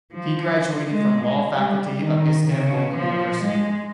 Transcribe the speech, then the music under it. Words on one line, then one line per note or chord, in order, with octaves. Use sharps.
He graduated from law faculty of Istanbul University.
F3
G#3
G#3
G3
D#3
C#3
F3
G#3